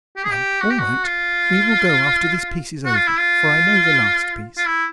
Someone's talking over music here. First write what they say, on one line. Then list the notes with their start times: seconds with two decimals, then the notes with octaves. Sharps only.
"Well, all right; we will go after this piece is over, for I know the last piece."
0.17 G4
0.24 G#4
0.31 G4
0.61 F#4
0.70 G4
0.79 F#4
1.06 F4
2.85 F#4
2.96 F4
3.07 E4
3.18 F4
4.57 F4
4.66 E4